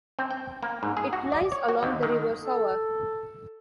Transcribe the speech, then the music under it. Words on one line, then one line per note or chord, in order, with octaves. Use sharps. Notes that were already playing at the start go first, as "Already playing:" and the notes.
It lies along the river Sauer.
C4
G5
A#3
G#2
G#4
F#4
D5
C#5
F#4
D#2
D#3
A4